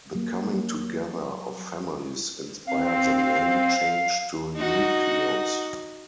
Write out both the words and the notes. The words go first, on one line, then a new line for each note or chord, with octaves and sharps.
The coming together of families inspired the name change to Newcleus.
F#3 A#3
C4 F5
D#4 F#4